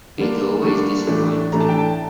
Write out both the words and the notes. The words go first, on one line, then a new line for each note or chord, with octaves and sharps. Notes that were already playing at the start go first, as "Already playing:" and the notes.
It's always disappointing.
D3 G3 A#3 D4
D3 G3 A#3 D4 C#6
A2 E3 A3 D4
A2 E3 A3 D4 A#5
A5
G5
A5